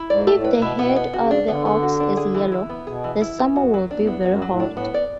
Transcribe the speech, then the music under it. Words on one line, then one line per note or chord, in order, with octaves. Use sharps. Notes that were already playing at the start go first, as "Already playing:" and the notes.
If the head of the ox is yellow, the summer will be very hot.
Already playing: E4
G#2 D5
A3
A2
B4
B2
E4
B2 B3
B3
C#3 F#4
D4
D3 B3
B3
F#4
D4
G#4
E3
E4
B3
B2 G#4
E3
E4
B3
F#2 F#4
F#3
E2 D4
B3
F#2 F#4
F#3
A2
D4
A2
B3
D5